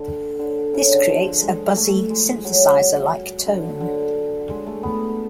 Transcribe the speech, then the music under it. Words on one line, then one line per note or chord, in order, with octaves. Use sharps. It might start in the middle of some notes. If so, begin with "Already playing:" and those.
This creates a buzzy synthesizer like tone.
Already playing: D3
D3
C#3
D3
F3
G#3
A3
G#3
F#3
D3
D3
G#3
A3
B3